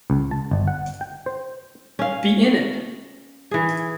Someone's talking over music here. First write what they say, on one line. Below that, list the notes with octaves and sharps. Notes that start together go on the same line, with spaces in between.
Be In It!
C#2
A5
G1
F#5
G5
C5
C#4 F5
E3 G#4